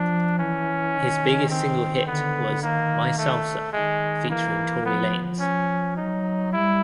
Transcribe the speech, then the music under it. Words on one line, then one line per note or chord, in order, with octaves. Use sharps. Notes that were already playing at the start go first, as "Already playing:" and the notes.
His biggest single hit was "My Salsa" featuring Tory Lanez.
Already playing: F3 D4
E3 C#4
D#3
C4
D3 B3
D#3 A#3
A3
D#3 G#3
E3 A#3
F3 B3
C#4
F#3 D#4
G3 E4